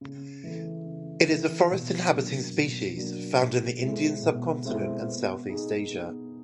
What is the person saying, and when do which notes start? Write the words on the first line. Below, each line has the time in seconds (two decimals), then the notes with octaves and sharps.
It is a forest-inhabiting species found in the Indian Subcontinent and Southeast Asia.
0.01 C#3
0.44 E3 A3
0.86 C#3
1.28 E3 A3
1.70 B2
2.12 F#3 A#3 D4
2.54 B2
2.96 F#3 A#3 D4
3.39 B2
3.81 G#3 C4 E4 A4
4.23 B2
4.65 G#3 C4 E4 A4
5.07 B3
5.49 D#4 G#4
5.91 B3